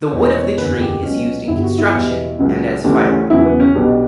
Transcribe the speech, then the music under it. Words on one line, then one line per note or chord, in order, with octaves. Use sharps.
The wood of the tree is used in construction and as firewood.
E1 E2 B2 C#5
C#5
F#1 E2 D3 B4
G4
C#2 B2 F#3 C#4
G1 G2 D3 G3 E4
F#4
E4
E2 B2 G3
C#2 C#3 F#3
D2 C#3 E3 G3 D4
C#4
E2 C#3 F#3 E4
B3
C#4
B1 B2 G3 D4